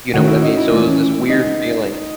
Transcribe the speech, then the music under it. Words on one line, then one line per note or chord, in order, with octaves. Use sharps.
you know what I mean? So, it was this weird feeling,
D#3 A3 C#4 F#4
E4
D#4
E4
E3 A3 C#4
C#3 G#3 B3 D#4